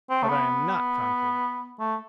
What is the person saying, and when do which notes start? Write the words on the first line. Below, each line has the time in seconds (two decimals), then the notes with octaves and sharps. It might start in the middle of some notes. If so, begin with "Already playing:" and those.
But I am not conquered!
0.10 C4
0.23 A3
0.29 B3
1.79 A3